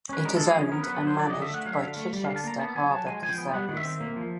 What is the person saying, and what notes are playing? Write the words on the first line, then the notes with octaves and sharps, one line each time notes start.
It is owned and managed by Chichester Harbour Conservancy.
C#4 B4
G#3 A#4
A4
F3
G#4
C#4
B3 A#4
B4
F#3
B4
F#3 C5
F3 D5
D#5
D3
E5
A3 F#5
F#3 F5
E5
D3 F5
A3
G3
F5
D3
A5
A#3 A#5
B3 A5
F#3 G#5
F#3 A5
G#3 G#5
F3 G#5
G5
B3
G3 F#5
D#3
E5
C4
A#3
F3